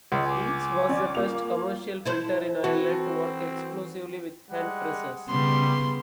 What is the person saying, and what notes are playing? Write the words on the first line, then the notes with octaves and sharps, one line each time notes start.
Yeats was the first commercial printer in Ireland to work exclusively with hand presses.
C#2 D#5
G#5 D6
C#4 D5
A#3 F4 F7
E4 A4 C5
E3 C4 F#4 A4
G3 G#3 F#5
C#3 G3 B3 C6